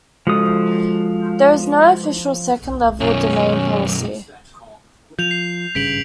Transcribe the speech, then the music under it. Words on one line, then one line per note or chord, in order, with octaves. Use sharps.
There is no official second-level domain policy.
F3 G#3 F#4 A4 D#6
B1 F#2 C#4
F3 G6 F7
C7
G#1 G2 C#3 B6 D7 F#7